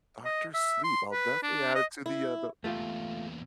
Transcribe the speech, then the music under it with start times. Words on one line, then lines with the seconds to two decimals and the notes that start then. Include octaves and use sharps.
Doctor Sleep, I'll definitely add it to the, uh, the
0.25 D#5
0.54 E5
0.84 C6
1.12 B4
1.43 D4
1.75 D#5
2.06 E4
2.64 E2 A#2 A3 F4 G4